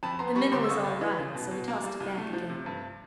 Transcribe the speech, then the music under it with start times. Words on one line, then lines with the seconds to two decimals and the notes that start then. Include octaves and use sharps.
The minnow was all right, so he tossed it back again.
0.03 F2 A5 B5
0.19 B3 A#5 C6
0.35 G3 B5 C#6
0.52 D3 C6 D6
0.64 E6
0.68 C#2 C#6 D#6
0.85 C#2
1.01 E3
1.19 C#3
1.34 B2
1.51 B2
1.68 A#3
1.84 G3
2.00 C2
2.18 A3
2.33 F3
2.50 C3
2.66 G2